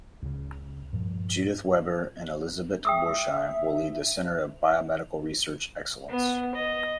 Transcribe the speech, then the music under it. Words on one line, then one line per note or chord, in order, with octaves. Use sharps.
Judith Weber and Elisabet Borsheim will lead the Center of Biomedical Research Excellence.
C#2 C#3
G2 A#2 F3
E5 G5 D#6 E6
B3
D#5